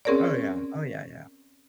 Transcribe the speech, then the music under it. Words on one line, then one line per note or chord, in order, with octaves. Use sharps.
Oh, yeah. Oh, yeah, yeah.
C4 C#4 G#4 A#4 C#5 D5